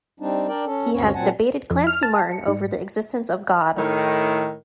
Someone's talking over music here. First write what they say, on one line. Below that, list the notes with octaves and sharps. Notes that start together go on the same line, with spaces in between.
He has debated Clancy Martin over the existence of God.
G3 C4 D4 D#4
D4 A#4 D5 G5
C#4 A4
D2 G2 C4 C#4 C#5
A#2 F#3 C4 F#5 G#5 A5
F2
F6
A5
C#7
G#2
A2 D#3